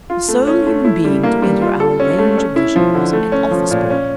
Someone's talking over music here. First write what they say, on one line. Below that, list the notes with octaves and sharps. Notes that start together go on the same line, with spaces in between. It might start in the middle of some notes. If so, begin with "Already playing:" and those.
The sole human being to enter our range of vision was an office boy.
F4
A3
C#4
A3
E4
G3
A#3
G3
F4
A4
C#4
A3
C#4
E4
F3
D3
A3
C#4
F3
A#2
C#4